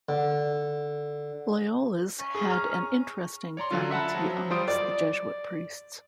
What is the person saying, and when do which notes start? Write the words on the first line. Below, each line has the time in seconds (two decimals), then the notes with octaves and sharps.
Loyola's had an interesting faculty amongst the Jesuit Priests.
0.09 D3
2.19 C#4
2.35 G#4
2.48 A#5 F6
3.57 C#5 D5 A#5 C6
3.71 D3 F#3 C#4 F4
3.91 E5 F#5 A5 B5
4.14 F3 F#3
4.50 G3 F4 C5 D#6 D7
4.68 D5